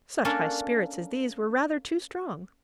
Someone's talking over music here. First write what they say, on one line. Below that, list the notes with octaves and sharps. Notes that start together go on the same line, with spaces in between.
Such high spirits as these were rather too strong.
A#3 C#4 D4 A4 A#4